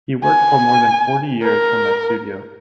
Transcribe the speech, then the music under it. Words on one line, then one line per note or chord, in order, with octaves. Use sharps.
He worked for more than forty years from that studio.
G#5
A#4